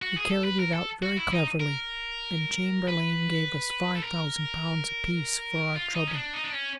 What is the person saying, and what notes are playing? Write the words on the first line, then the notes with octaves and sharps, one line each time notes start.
We carried it out very cleverly, and Chamberlayne gave us five thousand pounds apiece for our trouble.
F#4
G#4
A4
B4
A#4
A4
F#4
E4
D#4
A#4
B4
A4
A#4
F4
D#4
C#4
D4
D#4
D4
C#4